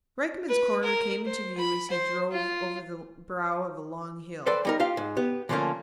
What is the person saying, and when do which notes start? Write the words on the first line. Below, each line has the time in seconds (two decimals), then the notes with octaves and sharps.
Rykman's Corner came into view as he drove over the brow of a long hill.
0.49 B4
0.83 A#4
1.26 C5
1.58 B5
1.90 C5
2.32 F4
4.46 A4 B4 C5 D5 G5
4.65 G3 D#4 A#4
4.80 F4 G4 F5
4.97 G#2
5.17 B3 G4
5.49 D3 F3 G3 A3 A#3 C#4